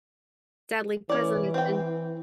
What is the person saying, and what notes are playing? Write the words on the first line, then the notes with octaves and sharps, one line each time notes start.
deadly prison is in
E3 C#4 D5
C4 G5